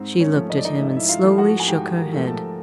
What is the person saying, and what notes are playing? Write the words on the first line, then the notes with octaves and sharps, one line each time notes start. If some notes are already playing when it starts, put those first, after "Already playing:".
She looked at him, and slowly shook her head.
Already playing: G#2 C4 C5
C#4 C#5
F3 A3
D#5
D5
D#4 D#5
G#2 E5
D#5
E4 E5
F4 F5
F3 A3
F#4 F#5
G#5
G#2 G4 G5
A#4 A#5
F3 A3
A4 A5